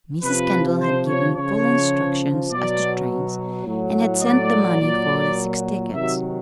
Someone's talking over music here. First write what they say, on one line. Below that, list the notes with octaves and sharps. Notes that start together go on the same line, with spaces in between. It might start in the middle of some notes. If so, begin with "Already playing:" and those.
Mrs. Kendall had given full instructions as to trains, and had sent the money for the six tickets.
C3 F3 B4
C5
C#5
C#3 F3 C#5
B2 F#3 D5
A2 F#3
D5
A#2 F#3
C3 D#3 F#3 E5